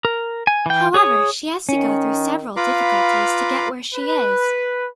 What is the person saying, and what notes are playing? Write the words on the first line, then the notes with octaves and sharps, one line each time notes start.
However, she has to go through several difficulties to get where she is.
A#4
G#5
E3 G5
G#4 C#5 D#6
D#3 C#4
F4 B4 F5 A#5 B5 D6
B4